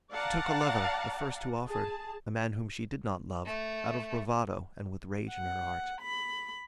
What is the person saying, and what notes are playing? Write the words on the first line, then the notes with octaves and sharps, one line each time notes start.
She took a lover, the first who offered, a man whom she did not love, out of bravado and with rage in her heart.
D5 F5 F#5 A5 A#5
G#4 A5
A3
F#5
B5